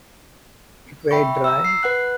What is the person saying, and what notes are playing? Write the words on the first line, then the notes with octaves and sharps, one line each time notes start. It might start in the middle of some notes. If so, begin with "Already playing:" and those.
It weighed dry.
E5 G5 B5 C#6
A#5 E6
C7
B4 F#5 F#6